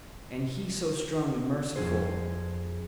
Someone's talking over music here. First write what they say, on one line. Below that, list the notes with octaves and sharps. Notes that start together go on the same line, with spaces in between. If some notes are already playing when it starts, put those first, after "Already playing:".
And He so strong and merciful.
F2 B2 G#4 C5